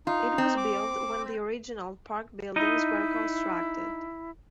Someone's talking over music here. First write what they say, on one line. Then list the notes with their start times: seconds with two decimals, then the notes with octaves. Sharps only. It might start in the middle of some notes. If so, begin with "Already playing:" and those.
It was built when the original park buildings were constructed.
0.07 D#4 F4
0.38 C4
0.57 D6
2.56 D#4 E4 D#5